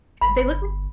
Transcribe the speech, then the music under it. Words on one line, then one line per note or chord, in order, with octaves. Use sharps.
They look like
G1 B5